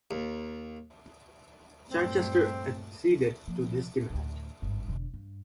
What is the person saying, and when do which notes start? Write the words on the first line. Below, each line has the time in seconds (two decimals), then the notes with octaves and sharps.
Chichester acceded to this demand.
0.11 D#2
1.89 G2 A#2 A3 C4
3.48 F3 A#3
4.10 D2 A2
4.62 G#1 G2
4.88 E1 D3
5.14 G2